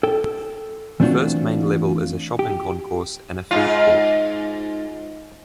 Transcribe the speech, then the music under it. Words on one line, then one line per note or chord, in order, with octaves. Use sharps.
The first main level is a shopping concourse and food court.
A4 G5
E3 A3 C4 D4 F4 F#4
G4
G#2 B2 F4